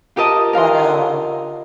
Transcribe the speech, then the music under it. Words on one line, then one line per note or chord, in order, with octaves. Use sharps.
But, um,
F4 G4 A#4 D#5 A5 D#6
A#4 F5 A#5 C6